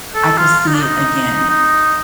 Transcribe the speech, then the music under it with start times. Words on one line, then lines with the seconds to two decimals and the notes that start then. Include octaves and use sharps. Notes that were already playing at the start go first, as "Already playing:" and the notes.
I could see it again,
0.15 A4
0.38 F4
0.60 F4
0.67 D#4
0.74 D4
0.82 D#4
1.50 D#4